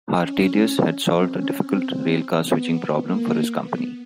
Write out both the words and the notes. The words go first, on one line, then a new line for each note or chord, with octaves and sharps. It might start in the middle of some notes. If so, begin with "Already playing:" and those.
Hartelius had solved a difficult railcar switching problem for his company.
C#4
C4
C#4
C4
B3
A#3
B3